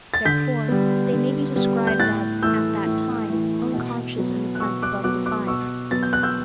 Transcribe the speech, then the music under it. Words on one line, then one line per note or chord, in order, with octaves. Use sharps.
Therefore, they may be described as "at that time" unconscious in the sense above defined.
A6
D3 G6 B6
G3 B3
D3
G3 B3
G6
A2 F#6 A6
E3 A3 E6 G6
A2
E3 A3
B2
F#3 B3
F#6
B2 C#6 E6
D6 F#6
F#3 B3 D6 F#6
D6 F#6
B2 C#6 E6
F#3 B3 A6
G6
F#6
E6 G6